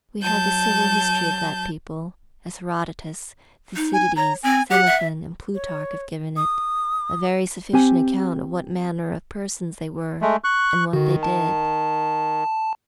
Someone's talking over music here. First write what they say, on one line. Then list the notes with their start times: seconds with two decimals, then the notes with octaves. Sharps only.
We have the civil history of that people, as Herodotus, Thucydides, Xenophon, and Plutarch have given it; a very sufficient account of what manner of persons they were and what they did.
0.21 F#3 A5 G6
3.76 D#4
3.93 G#5
4.16 C#5 A#5
4.43 C4 G#5
4.70 G4 F#5
4.86 E5
5.54 C#5
6.37 D#6
7.73 C4 G4 G#5
10.21 G#3 A3
10.44 C#6 F#6
10.93 D3 D#3 F#4
11.23 A5